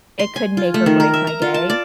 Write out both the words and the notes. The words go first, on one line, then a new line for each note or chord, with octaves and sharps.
it could make or break my day.
C6
G#5
F4
A3
D#3
A#4
E5
A#5
F4
A5
D5